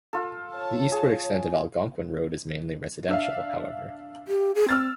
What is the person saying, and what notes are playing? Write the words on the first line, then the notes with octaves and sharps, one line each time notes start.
The eastward extent of Algonquin Road is mainly residential, however.
F4 A4
C#5 A5
G#4
D4 E5 F5
G4
G#4
C4 E6 F6 A6